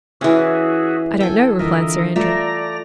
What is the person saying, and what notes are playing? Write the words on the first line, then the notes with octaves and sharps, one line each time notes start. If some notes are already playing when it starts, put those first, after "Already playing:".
"I don't know," replied Sir Andrew.
E3 C#4 F#4 G#4 E5
A4 G5 G#5
D3 E3 F4 A#4 D#5 E5
A3 F4 D5 E5 A#5 A#6